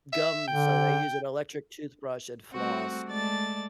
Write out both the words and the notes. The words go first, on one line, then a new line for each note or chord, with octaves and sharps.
Gums, I I use an electric toothbrush and floss.
E5
D3 G5
G3 A3 C4 F#4 F#5
G#3 A3 D5 A5 A6